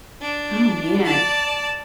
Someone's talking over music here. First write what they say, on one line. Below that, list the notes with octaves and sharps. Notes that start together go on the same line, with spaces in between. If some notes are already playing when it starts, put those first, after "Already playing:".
Oh, man.
D4
D5 A5